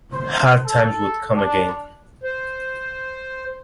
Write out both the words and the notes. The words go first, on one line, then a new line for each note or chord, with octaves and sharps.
Hard times would come again.
C5
A4
D4
C5